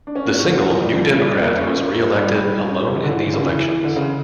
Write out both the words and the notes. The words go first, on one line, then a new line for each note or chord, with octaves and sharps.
The single New Democrat was re-elected alone in these elections.
D4
C#4
A#3
C#4
D3
E3
F3
G3
E3
F3
G3
A#3
C#4
A#3
A3
G3
D3
E3
D3
C#3
E3
D3
C#3